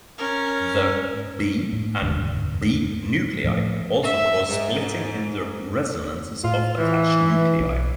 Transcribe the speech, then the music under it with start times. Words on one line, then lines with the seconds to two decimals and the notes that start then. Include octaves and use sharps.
The B and B nuclei also cause splitting in the resonances of attached nuclei.
0.18 C#4 A#4
1.73 A2
2.02 F1 D#2 G#2 D3
3.44 A2 F3 A3
4.03 E5
4.49 G#2
6.44 A2 F4
6.78 E3
7.60 B1